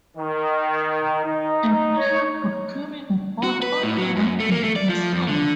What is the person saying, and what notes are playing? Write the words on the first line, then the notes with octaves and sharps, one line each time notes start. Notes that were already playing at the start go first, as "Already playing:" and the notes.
A player could carry the ball only when being pursued.
D#3
D#4
C#5
F#4
B4
A2
F#3
F#2
A3
A#3
A3
D5
F3
F2
D3